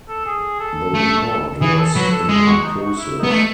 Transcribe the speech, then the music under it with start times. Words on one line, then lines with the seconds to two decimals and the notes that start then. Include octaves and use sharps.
The report was inconclusive.
0.09 A4
0.26 G#4
0.60 A4
0.94 A3
1.61 E3 G#4
1.78 A4
1.95 F#3 B4
2.11 A4
2.29 G#3 G#4
2.46 F#4
2.63 D#4
2.80 F#4
2.97 E4
3.19 B3 D#4
3.30 A3